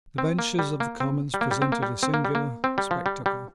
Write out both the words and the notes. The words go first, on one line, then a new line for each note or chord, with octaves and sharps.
The benches of the Commons presented a singular spectacle.
C4
A#3
G3
A#3
C4
G3
A#3
G3
C4
A#3
G3
C4
A#3
G3
A#3
C4
G3
F3
G3
G3